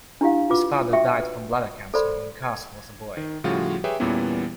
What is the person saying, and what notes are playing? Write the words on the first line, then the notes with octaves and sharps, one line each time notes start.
His father died from bladder cancer when Carson was a boy.
D4 E4 G4 F5 F#5
F4 F#4 B4 D6
F#4 E5 G5 C#6
B4
A4 A#4 C5 D5 B5 C6
G#6
D#3
A2 C#3 F3 G3 F4 F#4
G4 G#4 B4 C#5 E5 G5
E2 A#2 E3 G3 B3 C#4